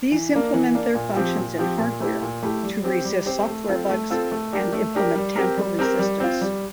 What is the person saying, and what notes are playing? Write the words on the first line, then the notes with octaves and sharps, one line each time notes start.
These implement their functions in hardware to resist software bugs and implement tamper resistance.
E3
A#3 D4
E3
A#3 D4
A#2
F3 C4 G4
A#2
F3 C4 G4
A#2
A3 E4 G4
A#2
A3 E4 G4
G3
C4 G4 C5
G3
C4 G4 C5
A3
C4 F4 A4
A3
C4 F4 A4
A3
D4 G4 A#4
A3
D4 G4 A#4
G3
C4 G4 A#4
G3
C4 G4 A#4
G3
C4 F4
G3